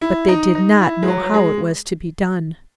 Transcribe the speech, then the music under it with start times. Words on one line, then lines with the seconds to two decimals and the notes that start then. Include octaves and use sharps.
But they did not know how it was to be done.
0.01 E4
0.28 D#4
0.55 D#4
0.81 E4
1.03 G#3
1.08 F#3
1.22 F#3
1.34 G#3